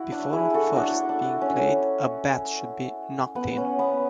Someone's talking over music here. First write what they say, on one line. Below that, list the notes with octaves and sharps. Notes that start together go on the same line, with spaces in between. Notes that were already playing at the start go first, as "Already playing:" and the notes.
Before first being played, a bat should be "knocked in".
Already playing: E4 F#4
D4
E4 G#4
F#4 A4
D4 F#4
D4
C#4
B3
C#4
B3